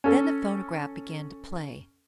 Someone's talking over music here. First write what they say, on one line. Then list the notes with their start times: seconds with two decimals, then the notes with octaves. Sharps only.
Then the phonograph began to play.
0.04 C#4 A4